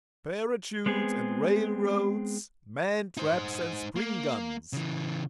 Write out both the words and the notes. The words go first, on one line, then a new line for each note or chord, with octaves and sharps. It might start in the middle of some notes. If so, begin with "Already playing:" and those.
Parachutes and rail-roads--man-traps and spring-guns!
G#3 B3 C4 G#4
D#4 C5
A#3
C#3 E3